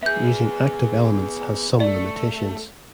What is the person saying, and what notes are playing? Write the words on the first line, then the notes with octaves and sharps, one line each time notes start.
Using active elements has some limitations.
B3 G#4 E5 G6
A3 D5